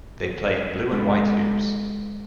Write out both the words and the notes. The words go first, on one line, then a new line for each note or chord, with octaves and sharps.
They play in blue and white hoops.
G#3 D4 G4 A4 B4